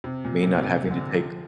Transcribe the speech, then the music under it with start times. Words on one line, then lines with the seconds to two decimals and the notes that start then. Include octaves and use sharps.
Me not having to take
0.04 C3
0.24 A#2
0.43 C3
0.62 C3
0.91 D3
1.19 F3